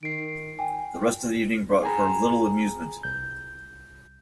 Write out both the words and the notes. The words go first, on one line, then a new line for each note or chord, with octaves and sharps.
The rest of the evening brought her little amusement.
D#3 C7 D7
G5 G#5
G#4 G5 G#5 A#5 B5
C2 G6